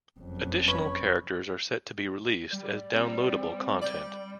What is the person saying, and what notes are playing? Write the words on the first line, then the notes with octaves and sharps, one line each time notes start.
Additional characters are set to be released as downloadable content.
F#1 F2
C#4 B4 C#5
G3 D5
G3 C4
D5 G5